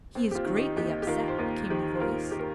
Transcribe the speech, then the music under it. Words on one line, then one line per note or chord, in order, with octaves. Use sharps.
"He's greatly upset," came the voice.
D#2 C4
G4
C4 F4
D#3
D#4 G4
D#2 D#4 G4
G4
D#3 F4 A#4
C5
D#2 F4 A#4
D#3 G4 C5
C5
D#2 F4 A#4
D#3 G4
A#4